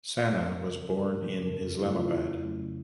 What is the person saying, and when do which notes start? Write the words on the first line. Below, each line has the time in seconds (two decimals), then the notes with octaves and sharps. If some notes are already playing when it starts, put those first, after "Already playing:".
Sana was born in Islamabad.
0.19 D#2 A#4
0.41 A4
0.51 C#3 F3
0.61 A#4
0.83 D#2
1.04 A#4
1.14 C#3 F3
1.42 A#4
1.46 F2 A4
1.62 A4
1.78 C#3 F#3 A3 C#4 E4
1.94 F4
2.09 F2 E4
2.41 C#3 F#3 A3 C#4